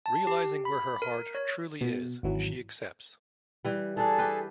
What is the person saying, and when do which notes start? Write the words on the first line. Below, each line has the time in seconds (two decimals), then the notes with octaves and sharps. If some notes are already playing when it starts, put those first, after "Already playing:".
Realizing where her heart truly is, she accepts.
0.06 A5
0.27 G4
0.65 B5
1.02 A#4
1.35 C#5
1.81 B2
2.23 G#1 E3 F#3
3.65 E3 G3
3.97 E3 D4 G#4 A4 A5
4.18 G4 B4